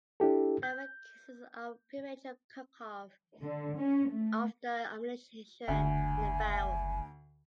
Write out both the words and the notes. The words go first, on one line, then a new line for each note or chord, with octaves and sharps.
There were cases of premature cook-off of the ammunition in the barrel.
D4 E4 G4 A4
G6
D3
C#4
A3
F#1 D2 G#5